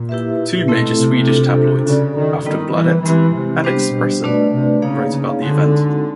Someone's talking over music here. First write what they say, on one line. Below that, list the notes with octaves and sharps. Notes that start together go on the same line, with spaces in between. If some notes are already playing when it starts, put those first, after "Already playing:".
Two major Swedish tabloids, "Aftonbladet" and "Expressen", wrote about the event.
Already playing: A#2
E4 G4 B4 E5
B2 A3 C4 E4 A4
C3
D4 F4 A4
C#3 C#4 F#4 A4 D5
D#3
D#3 G3 B3 E4
E3
E3 G#3 C4 E4 G4
C3
G3 B3 D4 G4 C5
B2
B2 A3 D4 F#4 B4 D5
C3
C#3 A#3 D#4 G#4 C#5 F5
C#3
D3 G#3 C4 D#4 F#4 A4